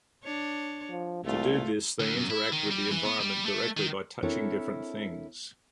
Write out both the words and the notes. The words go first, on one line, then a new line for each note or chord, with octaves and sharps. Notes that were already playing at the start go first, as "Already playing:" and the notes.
To do this, they interact with the environment directly by touching different things.
D4 C#5
F3
C2 A3 F4
D2
F#2
E4
D#3
G3
E3
B3
G3
A3
D#3
C4 D4 E4 A4 A#4 C#5